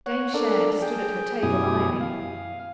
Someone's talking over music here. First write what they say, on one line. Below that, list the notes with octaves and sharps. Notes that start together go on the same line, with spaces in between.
Dame Shand stood at her table ironing.
C#5 F#5
D4 A4 A#4 D5
G#4 G5
F#2 B2 E4 G4 G#5 D#6
F5